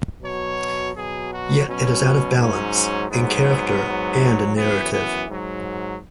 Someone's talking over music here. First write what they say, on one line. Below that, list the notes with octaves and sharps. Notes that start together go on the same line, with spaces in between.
Yet it is out of balance, in character and in narrative.
B2 F#3 C#5
B2 F#3 G#4
F#4
B2 F#3 C#4
G#2 F#3 C#4
G#2 F#3 B3
G#2 F#3
F#2 E3 B3
B3
G#2 F#3